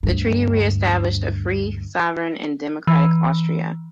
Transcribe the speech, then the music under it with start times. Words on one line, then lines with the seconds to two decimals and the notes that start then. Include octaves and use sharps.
The treaty re-established a free, sovereign and democratic Austria.
0.03 D2 G2
2.87 E3